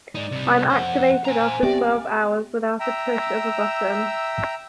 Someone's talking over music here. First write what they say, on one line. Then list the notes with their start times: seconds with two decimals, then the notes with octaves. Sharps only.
I am activated after twelve hours without a push of a button.
0.15 G#3 D#4 D5
0.32 C3 G3
0.70 F2 C5 F#5
1.25 C5 G#5 A#5
1.63 B3 C4 G4 D5 E5 G5
2.80 E5 G5 A#5 E6